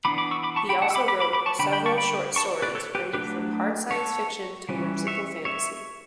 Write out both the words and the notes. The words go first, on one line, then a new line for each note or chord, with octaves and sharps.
He also wrote several short stories, ranging from hard science fiction to whimsical fantasy.
E3 B3 D4 B5 D6
B5 D6
C#6 E6
B5 D6
A5 C#6
G5 B5
F#5 A5
E6
B5 D6
B5 D6
B5 D6
B5 D6
A5 C#6
D3 G3 D4 G5 B5
G5 B5
A5 C#6
G5 B5
A5 C#6
B4 D5
A4 C#5
G4 B4
F#3 A3 D4 G4 B4
A4 C#5
E3 G3 C#4
C#5 E5
C#5 E5